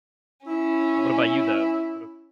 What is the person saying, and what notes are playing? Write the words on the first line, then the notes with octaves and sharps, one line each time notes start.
Uh, what about you though? What what, uh
C#4 E4